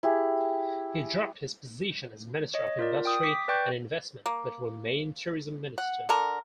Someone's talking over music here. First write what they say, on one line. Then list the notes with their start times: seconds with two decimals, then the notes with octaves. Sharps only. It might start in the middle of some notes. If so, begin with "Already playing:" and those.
He dropped his position as minister of industry and investment, but remained tourism minister.
0.03 E4 G4 G#4
2.54 C#5 D#5
2.79 F4 A#4 D5
3.05 G5 D#6
3.23 D6 B6
3.48 B4 D5 G5 C#6 G6
4.26 A#3
5.78 F#5
6.09 D3 A4 A#4